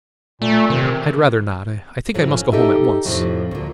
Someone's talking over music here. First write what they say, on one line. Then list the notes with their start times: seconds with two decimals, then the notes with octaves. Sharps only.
"I'd rather not--I think I must go home at once."
0.42 A#2 A3
0.70 C3 D#3
2.14 F#2 A2 F3 F#3
2.30 C#4
2.53 D#4 G4 A4 D#5 E5
3.05 F2 A2 C3 F3
3.51 D2 A#2